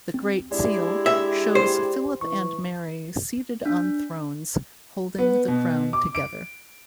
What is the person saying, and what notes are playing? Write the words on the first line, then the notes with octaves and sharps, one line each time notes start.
The Great Seal shows Philip and Mary seated on thrones, holding the crown together.
C4
G#3 D4 E4 G4 D5
E5
C5
E3 C#6
D4
B3
B2
D6
D7